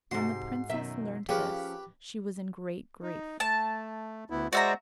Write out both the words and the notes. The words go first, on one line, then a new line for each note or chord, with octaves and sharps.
When the princess learnt this she was in great grief.
G#2 C3 D#4 F#4 C6
F#2 B2 D#3 E5
F3 C#4 G4 G#4 B4 F5 G5
D#4
A3 A5
D2 B3 E4
G#3 F#4 C5 D5 E5 A#5